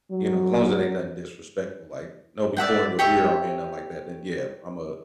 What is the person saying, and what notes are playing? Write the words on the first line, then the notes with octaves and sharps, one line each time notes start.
you know, as long as it ain't nothing disrespectful, like, don't be pouring your beer on me or nothing like that, then yeah, Imma
F#3
D5 E5 F#5 G5
G4 C#5 E5